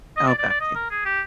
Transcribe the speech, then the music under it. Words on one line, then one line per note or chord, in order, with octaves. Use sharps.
Oh, got you.
D#5
D5
D5
D5
D#5
A#4
G#4
G4